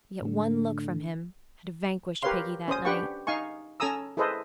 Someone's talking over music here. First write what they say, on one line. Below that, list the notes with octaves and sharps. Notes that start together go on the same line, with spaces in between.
Yet one look from him had vanquished Piggy that night.
A2 D3 A3
G4 A#4 B4 C#5 F5 C6
C#4 C5 D#6
D4 G4 B4 F#5 G5 C#6
D#4 F5 G#5 C#6
C#4 A4 G#5 A#5 D#6 E6
E4 G#4 A4 B4 C5 D#5